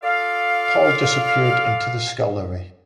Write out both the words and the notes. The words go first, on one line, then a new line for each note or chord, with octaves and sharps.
Paul disappeared into the scullery.
F4 A4 D5 F5